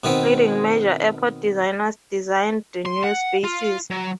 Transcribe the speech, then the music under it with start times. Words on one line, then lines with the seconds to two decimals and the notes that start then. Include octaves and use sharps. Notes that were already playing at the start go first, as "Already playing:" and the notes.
Leading major airport designers designed the new spaces.
0.04 B2 D#3 B3 C4
2.86 C6
3.04 F#5
3.44 F4
3.90 F#3